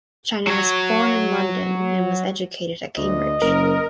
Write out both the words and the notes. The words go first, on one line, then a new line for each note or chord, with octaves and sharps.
China was born in London and was educated at Cambridge.
F#3 C#5
D2 D#5
F#1 A#4